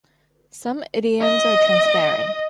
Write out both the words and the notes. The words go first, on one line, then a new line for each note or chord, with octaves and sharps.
Some idioms are transparent.
D#5